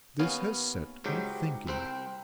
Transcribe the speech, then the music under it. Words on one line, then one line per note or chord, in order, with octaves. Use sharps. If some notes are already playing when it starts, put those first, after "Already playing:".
This has set me thinking.'
D#2 B3 C#4 F5
C#2 G#2 F#3 G4 G5
C2 C4 C5 G5